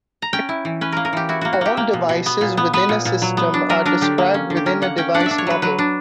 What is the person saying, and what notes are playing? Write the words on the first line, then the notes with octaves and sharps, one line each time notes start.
All devices within a system are described within a "device model".
A#5
C#4 G5
E4
E3
C#4 B4
A#3 A#4
A#4
E3 G4
E4 F#4
A#3 F#4
F#4
A#3 G4
A#3
B2
B2
B3
A#2
B3
B3 B4
A#2
A#2
F#3
B3
D4
F#3 A#4
D4 A#4
D3 G4
A#3
C#4
D3
G4
C#4 A#4
A#3 F#5
C#4 G5
D4 F#5
D5
D4 E5
C#5
F#3 B4
F#3 B4
D4